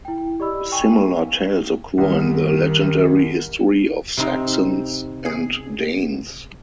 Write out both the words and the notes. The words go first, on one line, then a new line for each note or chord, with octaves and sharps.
Similar tales occur in the legendary history of Saxons and Danes.
E4 G5
G4 D5 D#5 B5 E6
G5 G#5 C#6 D#7
F5
C2 F#2 C3 D#3
C3 C4 D#4
G#4